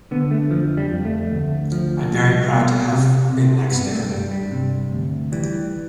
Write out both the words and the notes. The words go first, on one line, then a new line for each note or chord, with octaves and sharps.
I'm very proud to have been next to him.
D3 B3
A3
F2 F3
G3
F2
A3
D2
F3
C2
B2
C3
C3
G2 B3
G3
A3
G2 G3
G3
C3
D2
E3 G3